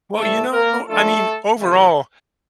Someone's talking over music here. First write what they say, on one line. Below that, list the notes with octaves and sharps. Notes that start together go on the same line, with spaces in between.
Well, you know I mean, overall,
C3 E3 G3 A3 A4
A#3 A#4
F3 A3 A#3 D4 F4 A4
C3 E3 A3